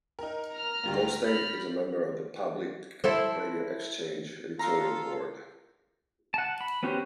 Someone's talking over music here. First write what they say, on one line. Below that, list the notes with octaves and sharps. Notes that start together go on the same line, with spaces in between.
Goldstein is a member of the Public Radio Exchange editorial board.
D#4 A#4
A#5 F6
D2 G3 A#3
B5 F6 G6 A6 A#6
E4 A4 C5
F4 A4 F5 A#5
F#5 A5
B5
B3 C#4 F#4 G4 C5